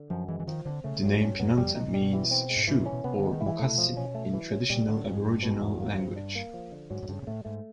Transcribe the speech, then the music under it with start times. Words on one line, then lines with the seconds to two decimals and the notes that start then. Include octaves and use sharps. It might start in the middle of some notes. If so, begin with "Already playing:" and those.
The name Pinantan means shoe or moccasin in traditional Aboriginal language.
Already playing: D3
0.10 F#2 F3
0.28 E3 G#3
0.40 E3
0.47 D#3 F3
0.65 D3 C4
0.84 C#3 A3
1.02 G2 F#3
1.21 G2 C#4
1.39 F#2 B3
1.58 F2 G3
1.75 B2 D#4
1.88 A#2
1.94 G3
2.00 B2
2.13 E3
2.31 C4
2.50 G#3
2.56 G#2
2.67 A2 E3
2.80 A#2
2.86 C#4
2.92 B2
3.04 C3 B3
3.18 D3 G#3
3.32 D#3
3.41 E4
3.46 E3
3.59 B2 A3
3.78 F3
3.97 C#4
4.15 A3
4.33 E3
4.51 C#4
4.70 A#2 G3
4.88 A2 D3
5.06 F2 G#2
5.24 G2 G#3
5.43 B2
5.61 E2
5.81 A#3
5.99 F3
6.16 D4
6.35 A#3
6.54 F3
6.72 D3
6.90 G#2 F#3
7.03 G#2
7.09 G2 C#3
7.22 A#2
7.27 A2 A3
7.45 G#2 A3